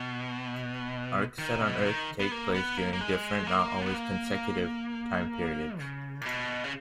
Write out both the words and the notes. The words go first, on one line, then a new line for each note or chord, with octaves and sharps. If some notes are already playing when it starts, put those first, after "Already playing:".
Arcs set on Earth take place during different, not always consecutive, time periods.
Already playing: B2
D#3
B2
D#3
B3
A#3
B3
A#3
A#3
G#3
A#3
B3
A#3
C#3
A#2
B2
C#3